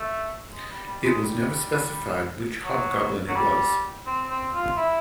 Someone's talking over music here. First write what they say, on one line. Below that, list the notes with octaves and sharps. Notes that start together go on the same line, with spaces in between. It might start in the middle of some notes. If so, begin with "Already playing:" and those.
It was never specified which Hobgoblin it was.
Already playing: A3
G#3
G3
G3
G#3
G3
F#3
F#3
G3
C4
C4
F4
E4